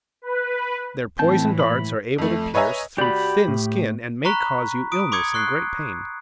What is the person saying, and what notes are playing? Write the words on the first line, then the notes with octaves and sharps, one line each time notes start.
Their poison darts are able to pierce through thin skin, and may cause you illness and great pain.
B4
A2 E3 C4 A5 G6
B5
F2 A3
B4 C#5 D#5 E5 G#5 A#5
F#4 G4 D5 B5
A2
A#5 B5 C#6 F#6 B6
D#6 D7
C6 D6 D#6 G#6 C#7
C#6 F#6 C7